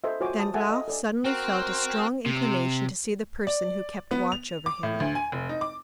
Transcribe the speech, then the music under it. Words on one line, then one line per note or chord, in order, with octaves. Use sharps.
Danglars suddenly felt a strong inclination to see the person who kept watch over him.
A4 C5 D#5 E5
F4 F#4 C5 C#5 G#5 D6
A5 D#6
A4 E5 F#5 G#5 A5
D#5
A4 D5 G#5
C4 F#4 A#4
C3
D5
B3
F7
D6
A2
D2
G#5
F1
D#4
D6